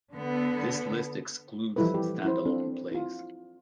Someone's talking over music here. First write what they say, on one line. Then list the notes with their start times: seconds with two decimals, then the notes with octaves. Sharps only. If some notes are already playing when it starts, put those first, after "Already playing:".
This list excludes standalone plays.
0.14 D3 B3
1.76 E3 F3 G3 E4 A4 B4
1.94 G4
2.25 E4 C5
2.45 C4 D4 A4
2.91 E4 F4